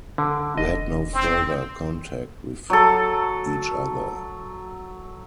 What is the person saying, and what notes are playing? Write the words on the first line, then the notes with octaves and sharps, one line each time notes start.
We had no further contact with each other.
D3 D4
E1 D#5
C4
F#3 A4